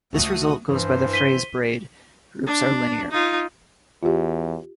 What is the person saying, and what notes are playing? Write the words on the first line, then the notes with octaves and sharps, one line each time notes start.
This result goes by the phrase braid groups are linear.
C#2 A3 F#4 D#6
G2 E3 C5
B6 D#7 G7
D4
D#4 F4
E2 F4 G4